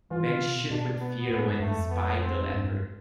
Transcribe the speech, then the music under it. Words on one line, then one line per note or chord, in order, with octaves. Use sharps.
Ben shook with fear when he spied the leopard.
E3 F4
D3
C3
B2
B2 D4
B3
A2 B3
G2
G2 A3
F2
B3
C4
G2
G2